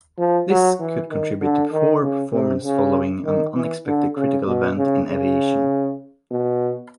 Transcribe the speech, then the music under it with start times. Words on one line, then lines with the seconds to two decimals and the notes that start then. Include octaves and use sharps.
This could contribute to poor performance following an unexpected critical event in aviation.
0.18 F3
0.50 F#3
0.80 E3
1.10 D#3
1.41 D3
1.71 D#3
2.02 C#3
2.32 C3
2.63 C#3
3.25 D#3
3.55 E3
3.86 D3
4.16 C#3
4.47 B2
4.77 C#3
5.08 C#3
6.31 B2